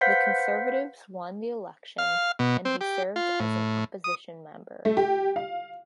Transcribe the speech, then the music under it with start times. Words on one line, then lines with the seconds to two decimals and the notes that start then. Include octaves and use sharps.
The Conservatives won the election, and he served as an opposition member.
0.01 B4 C5 F5 F#5 G6 B6
1.98 F5
2.39 B2
2.65 C4
2.81 G4
3.16 F4
3.40 A2
4.04 D#6
4.85 A3
4.97 G4
5.36 F5